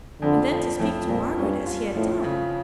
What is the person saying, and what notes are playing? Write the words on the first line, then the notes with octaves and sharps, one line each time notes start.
And then to speak to Margaret as he had done!
F2 D3
F3
F2 A2
F2 A#2
G2 C#4
F4
A2 F3
C#3